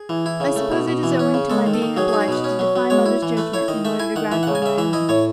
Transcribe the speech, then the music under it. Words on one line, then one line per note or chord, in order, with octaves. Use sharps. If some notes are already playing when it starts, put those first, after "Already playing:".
I suppose it is owing to my being obliged to defy mother's judgment in order to gratify my own.
Already playing: G#4
E3
E4
C#3
A3
B2
B2
E3
C#4
C#3
G#3 A4
D#3
A4
D#3
F#3 G#4
G#4
D#4
G#4
B2 B4
C#4
F#3
F#3
G#3 C#5
E4
E3
A3 B4
E4 C#5
D#3 D#5
A3 E5
E4 G#5
D#3 F#5
E3 E5
C#3 F#5
G#5
C#3 E5
E3 E5
E4 D#5
A2 C#5